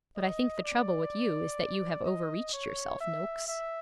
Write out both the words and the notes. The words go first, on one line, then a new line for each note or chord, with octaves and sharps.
But I think the trouble with you is that you have overreached yourself, Noakes.'
D#5
D5
D#5
C#5
E5
E5